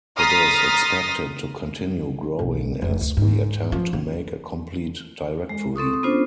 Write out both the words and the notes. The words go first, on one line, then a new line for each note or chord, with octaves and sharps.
It is expected to continue growing as we attempt to make a complete directory.
A#5 C6 D#6 F6 A6 B6
B1
F1
D2
G#2
F3
F#2
G#3
C4 A4 C#6 D#6
B3 C#4 D4 F4 C5